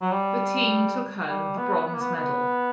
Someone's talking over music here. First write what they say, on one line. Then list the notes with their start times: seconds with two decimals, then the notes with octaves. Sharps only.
The team took home the bronze medal.
0.02 F#3
0.12 G3
1.28 G3
1.58 B3
1.87 B3
1.94 A#3
2.01 B3
2.15 B3